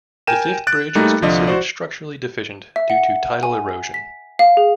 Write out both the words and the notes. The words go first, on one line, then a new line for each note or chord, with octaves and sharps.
The fifth bridge was considered structurally deficient due to tidal erosion.
A#4 G5 G#5 D#7 E7
F#6 A6 D7
G3 A3 A#3 D#4
C2 D3 F3 D5 D#5
F#4 C5 D5
E5
F#5
G#5
B6
F5
G#4